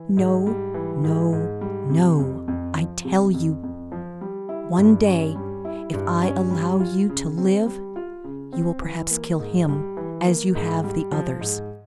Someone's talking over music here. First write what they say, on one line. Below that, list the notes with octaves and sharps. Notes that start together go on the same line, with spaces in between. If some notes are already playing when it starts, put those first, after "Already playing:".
"No, no, no, I tell you; one day, if I allow you to live, you will perhaps kill him, as you have the others!"
Already playing: E3
G#2
G3
E3
G#2
G#2
G3
C3
F2
F2
F3
C3
F2
F2
F3
G3
E4
G2
C#4
G3
E4
G2
C#4
G3
F4
C#3
C4
G3
F4
C#3
C4
E3
A#3
G#2
G3
E3
A#3
G#2
G3
F3
G#2